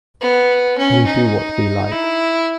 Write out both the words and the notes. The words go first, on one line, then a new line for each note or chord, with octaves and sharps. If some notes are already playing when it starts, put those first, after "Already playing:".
We do what we like.
B3
C#4
D#4
E4